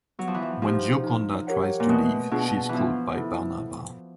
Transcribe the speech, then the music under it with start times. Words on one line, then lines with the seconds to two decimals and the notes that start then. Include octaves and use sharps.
When Gioconda tries to leave, she is caught by Barnaba.
0.19 F#3 B3
0.28 F3
0.34 E3
0.42 F3
0.62 F3 D#4 G4 C5
1.04 D#4
1.47 G4 A#4 C#5 F#5
1.80 A#2
1.89 B2 A3
2.31 B2 D4 F4 G#4
2.69 E3
2.75 F3 B3
3.17 E4 A4